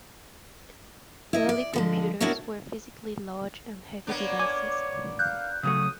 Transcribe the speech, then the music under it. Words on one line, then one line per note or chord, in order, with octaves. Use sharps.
Early computers were physically large and heavy devices.
E4 D#5
D5
D3 F3 G#3
B3 D4 E4 F#4 A#4 C#5
A#3 B3 D4 C#5
G#5 D6
F5 F#6 G6
C#3 F#3 A3 D#6